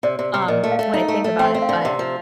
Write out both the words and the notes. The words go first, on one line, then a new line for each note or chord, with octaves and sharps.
funny, um, when I think about it. But,
C3 D5
C3
C3
A#2 D#5
A3
F5
A3
D#4
A3
A3
C4 G5
C4
F5
D3
C3
F3